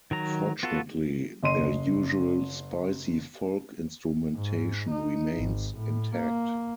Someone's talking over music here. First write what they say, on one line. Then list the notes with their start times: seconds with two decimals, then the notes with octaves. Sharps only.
Fortunately, their usual spicy folk instrumentation remains intact.
0.11 D#3 F#3 A#5
0.63 B3 F4 F#4 A4
1.43 F#1 D#5 C6 D#7
4.36 G#2
4.91 D#4
5.37 G#1
5.78 A2
6.16 A#3